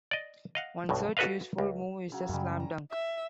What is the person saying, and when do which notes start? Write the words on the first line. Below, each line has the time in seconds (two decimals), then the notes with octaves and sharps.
One such useful move is the slam-dunk.
0.11 D5 D#5
0.55 D#5 F5 F#5
0.89 B1 G2 B2
1.17 F#4 A4 B4 D#5 F5
1.58 C#2
2.12 C#3 F#3
2.29 F#2 C#3 G3 C#4
2.60 A#5
2.91 E5